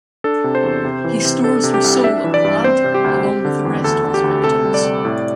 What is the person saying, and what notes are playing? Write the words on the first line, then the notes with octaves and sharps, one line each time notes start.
He stores her soul in the lantern along with the rest of his victims.
D4 A4
C3
C5
E2
C3
E3
C3
D4 A4
C3
G4
C2
D4 E5
E3
D5
G2
C4 C5
C3
G4
D2
C4
D3
E2
D2 A4
D3
G4
D2
C3 A4
G3
D5
C3
A2